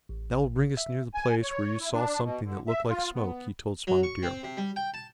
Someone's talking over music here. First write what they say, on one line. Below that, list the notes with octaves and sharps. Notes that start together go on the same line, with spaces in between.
"That will bring us near the place where you saw something that looked like smoke," he told Spotted Deer.
A1
E5
G#5
C#5
E4
D4
B2
D3
E5
F4
B3
F#3
C#6
C4
C3
G3
G5
A5